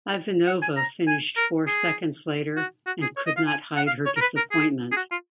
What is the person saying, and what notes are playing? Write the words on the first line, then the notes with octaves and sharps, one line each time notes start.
Ivanova finished four seconds later and could not hide her disappointment.
F#5
G#5
A#5
G#5
A#4
G#4
F#4
F#4
G#4
C#5
D#5
F5
G#5
F#5
F5
C#5
A#4
B4
A#4
G#4
G#4
F#4
F4